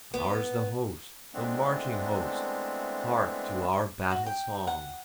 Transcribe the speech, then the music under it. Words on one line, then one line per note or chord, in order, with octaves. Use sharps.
Ours the host, the marching host--hark to our battle song!
B3
E3 G#3 A3 B3 C4 D4
F#4
G5
F#5